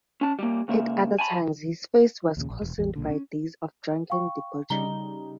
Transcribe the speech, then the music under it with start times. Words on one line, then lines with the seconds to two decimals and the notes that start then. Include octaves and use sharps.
At other times his face was coarsened by days of drunken debauchery.
0.21 C#4 A5
0.39 G3 A#3
0.68 C#2 A#3 E5
1.19 G#5 A5 B5
2.37 D#2 A#2 C#3
2.50 A#1
2.62 E1
2.78 A1 E2
2.96 B1 A#2 D3
3.10 C#4
4.10 F5 G5 C#6
4.70 C#3 G3 D#4 A#5 G7